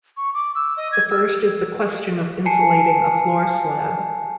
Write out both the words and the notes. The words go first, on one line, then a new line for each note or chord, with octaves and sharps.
The first is the question of insulating a floor slab.
C#6
D6
E6
D#5
G#6
E6
G#5 A5 C7 C#7